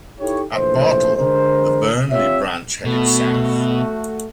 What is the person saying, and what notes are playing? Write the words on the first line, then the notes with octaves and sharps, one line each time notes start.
At Bartle, the Burney Branch headed south.
D#4 E4 G4 A4 C#5
A#1 E3 A3 C5
D3 G#3 A#4 C5
C4 F4 G4 C#5 E5
B2 A3 F#4